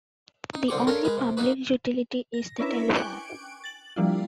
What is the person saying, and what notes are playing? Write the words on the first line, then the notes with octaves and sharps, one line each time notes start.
The only public utility is the telephone.
D#4
C2 D3 C4 G5 C#6 D6
D4 F4 A4 A#4 C#5
G#3 A#4 B4
C3
A#3 D#4 F#4 B4
A#6
C#4 D4 E4 A#4 B4 E5
G5 G#5 C#6 D6 F#6 D7
A6 F#7
F3 G3 A#3 D4 E4 F4